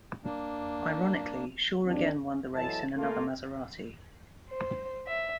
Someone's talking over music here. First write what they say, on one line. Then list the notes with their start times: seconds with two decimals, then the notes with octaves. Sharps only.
Ironically, Shaw again won the race in another Maserati.
0.24 A#3 D4
1.86 D#2 C4 D4
2.55 E2 F#3 G#3 E4 A4 A5
2.97 A3 A#3 F4
4.51 C5
5.09 E5